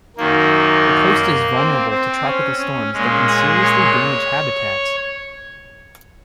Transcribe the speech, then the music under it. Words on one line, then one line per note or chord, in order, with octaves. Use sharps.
The coast is vulnerable to tropical storms that can seriously damage habitats.
F#2 D#3 A#3
C4
C4
C#4
C#4
A#2 G#3 C#4
G#4
C#5